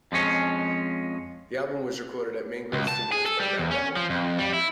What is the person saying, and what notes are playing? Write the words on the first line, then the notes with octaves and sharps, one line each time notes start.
The album was recorded at Mangrove Studios by Matt Lovell.
F2 F3 G#3 C#4
C#2
A5
G#4
A4
G3
E2
C#4
F3
F2
G3
E4